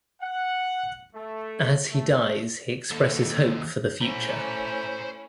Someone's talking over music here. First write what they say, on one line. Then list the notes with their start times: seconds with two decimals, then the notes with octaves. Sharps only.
As he dies, he expresses hope for the future.
0.21 F#5
1.14 A3
1.91 A3
2.91 D#2 A4
4.01 A3 C#4 E4 C5 A#5